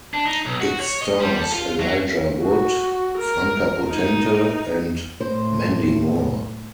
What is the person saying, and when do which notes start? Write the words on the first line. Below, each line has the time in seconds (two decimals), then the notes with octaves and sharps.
It stars Elijah Wood, Franka Potente and Mandy Moore.
0.14 D4
0.26 D#4
0.46 B1
0.60 F#4
0.80 C#5
1.02 D#5
1.20 G3
1.40 A4
1.52 F4
1.80 F#3
2.40 F#4
3.18 A#4
3.88 D#4
5.20 A2 C5